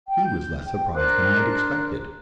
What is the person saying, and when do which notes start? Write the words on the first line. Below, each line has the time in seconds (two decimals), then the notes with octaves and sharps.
He was less surprised than I had expected.
0.08 G5
0.26 G6
0.65 G5
0.95 D4 A#4 C5 F#6